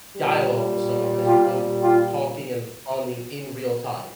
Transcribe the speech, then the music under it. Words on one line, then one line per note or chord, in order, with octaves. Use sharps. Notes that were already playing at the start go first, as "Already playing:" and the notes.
dialogue with someone as you're both talking and responding in real time.
A#2 G3
F4 G4
F4 G4